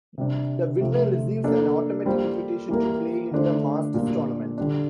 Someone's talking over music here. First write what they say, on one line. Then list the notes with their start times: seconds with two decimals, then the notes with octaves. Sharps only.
The winner receives an automatic invitation to play in the Masters Tournament.
0.18 C3 G3 D4
0.81 C3 F3 A3
1.44 A#3 D4 A4 D5
2.06 G3 A#3 F4 C5
2.69 E3 G3 A#3 F4 A#4
3.31 D3 A3 D4 F4 C5
3.94 A#2 G3 A#3 D4
4.58 D3 G3 D4